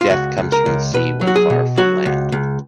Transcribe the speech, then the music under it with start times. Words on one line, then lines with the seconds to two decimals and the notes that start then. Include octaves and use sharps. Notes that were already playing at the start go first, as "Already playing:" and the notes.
Death comes from the sea when far from land.
0.01 F4
0.10 C#2 F#4
0.38 C#2
0.52 A#4
0.66 C#2
0.94 B2 B4
1.21 F#3
1.27 F#4
1.36 G#4
1.50 B2
1.77 F#3 F#4
2.06 C#2
2.32 C#2